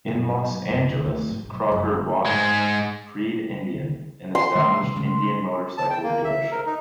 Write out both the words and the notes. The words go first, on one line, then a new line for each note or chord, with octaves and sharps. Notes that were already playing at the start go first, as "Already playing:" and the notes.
In Los Angeles, Crocker bought Freed Indian, an established Indian Motorcycle dealership.
F#2
G#2
B1
F#1
F1
D2
G#1
B1
F#1
D2
G#2 G#3
C6
D#3 G3 A3
C3
C#3 G#3 A3
A5
G5
A#3
E5
A#4
D#4